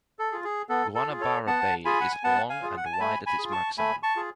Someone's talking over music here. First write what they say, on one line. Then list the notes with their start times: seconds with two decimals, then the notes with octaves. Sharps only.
Guanabara Bay is long and wide at its maximum.
0.19 A4
0.32 F4 G#4
0.44 G#4
0.69 B3 A4
0.95 A4
1.09 F4 G#4
1.21 A4 C#5
1.47 B3 F#5 A5
1.85 F4 G#4 G#5 B5
2.01 F#5
2.12 G#5
2.24 B3 F#5 A5
2.50 F5 G#5
2.62 F4 G#4
2.77 F#5
2.85 G#5
2.93 A5
3.00 A3 G#5 B5
3.26 G#5 B5
3.39 F4 G#4
3.51 A5 C#6
3.78 A3 G#5 B5
4.03 A5 C#6
4.16 F4 G#4